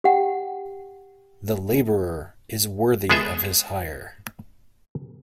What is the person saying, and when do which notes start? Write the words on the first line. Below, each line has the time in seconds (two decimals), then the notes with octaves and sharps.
The labourer is worthy of his hire.
0.04 G4 F#5 G5
3.10 G#3 B3 G#4 A4 E5